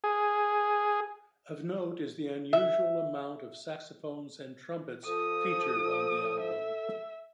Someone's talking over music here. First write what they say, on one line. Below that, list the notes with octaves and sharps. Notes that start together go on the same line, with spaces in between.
Of note is the unusual amount of saxophones and trumpets featured on the album.
G#4
E5
F3 A4 D#6
E5